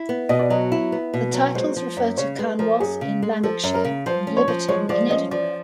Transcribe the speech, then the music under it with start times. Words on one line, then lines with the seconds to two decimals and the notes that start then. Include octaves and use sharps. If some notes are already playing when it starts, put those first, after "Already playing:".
The titles refer to Carnwath in Lanarkshire, and Liberton in Edinburgh.
Already playing: E4
0.09 B3
0.29 B2 D#5
0.39 D5
0.50 F#3 D#5
0.72 E4
0.92 B3
1.14 B2
1.34 F#3
1.55 G#3 C5
1.76 F3
1.97 F#2
2.18 C#3 C#5
2.38 G#3 B4
2.59 F3 A#4
2.80 F#2 G#4
3.01 C#3
3.22 G#3
3.43 F3 A4
3.64 F#2
3.74 A#4
3.85 C#3
4.06 F3 C5
4.27 C#4
4.37 C#5
4.48 F3
4.69 G#3 C#5
4.89 F3 D5
5.10 C#4 D#5
5.31 F3 D5